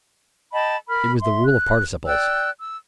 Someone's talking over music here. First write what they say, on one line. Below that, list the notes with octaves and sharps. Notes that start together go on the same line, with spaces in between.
It was the rule of participles.
D#5 G5 A5 B5
A#4 B5 F6
E5 C6
F#6
D5 G5 E6 F#6
E6